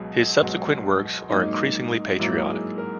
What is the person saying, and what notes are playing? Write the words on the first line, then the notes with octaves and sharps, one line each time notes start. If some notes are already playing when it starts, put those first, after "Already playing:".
His subsequent works are increasingly patriotic.
Already playing: C#2 B2 F#3 G#4
C#2 B2 F#3 F#4
G#2 F#3 A#3 D#4
G#2 F#3 A#3 E4
G#4
A#4